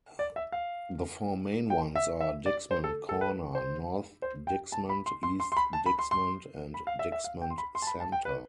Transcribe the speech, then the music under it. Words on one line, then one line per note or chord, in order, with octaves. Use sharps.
The four main ones are Dixmont Corner, North Dixmont, East Dixmont, and Dixmont Center.
D5
E5
F5
G5
E5
E5
D5
C5
A4
A4
B4
C5
C5
G5
A5
B5
C6
C6
C6
C6
B5
A5
B5
C6
C6
B5
F5
E5
E5
F5
G5
C6
B5
C6
A5
B5
A5
G5
B4